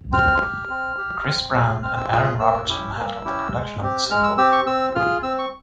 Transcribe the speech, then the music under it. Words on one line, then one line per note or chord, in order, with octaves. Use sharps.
Chris Brown and Aaron Robertson handled the production of the single.
C4 F6
G4
C4
G4
C4
F4 G#4
C4 F6
E6
F4 G#4 E6
A#3 E6
C#4 E4 G4
A#3
C#4 E4 G4
G#3
C4 G4
G#3 F6
E6
C4 G4 E6
C#6
C4 E6
F4 G#4 F6
C4 E6
C#6